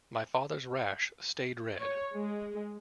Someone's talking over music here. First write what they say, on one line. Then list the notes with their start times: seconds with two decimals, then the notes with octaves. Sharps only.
My father's rash stayed red.
1.81 C#5
2.14 G#3